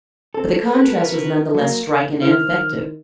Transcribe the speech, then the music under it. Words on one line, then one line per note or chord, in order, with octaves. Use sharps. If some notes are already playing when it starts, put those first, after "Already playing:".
But the contrast was none the less striking and effective.
C4 A4
F#4 A#4 B4
F#3 A#3
D#3 E4 C5 F6